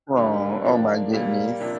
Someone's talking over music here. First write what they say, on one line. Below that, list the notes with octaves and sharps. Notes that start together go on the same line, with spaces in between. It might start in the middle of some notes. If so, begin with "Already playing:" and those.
strong oh my goodness.
D3 G3 A#3
F3 A#3 D4
A#2 G3 A#3
C3 F3 A#3 D4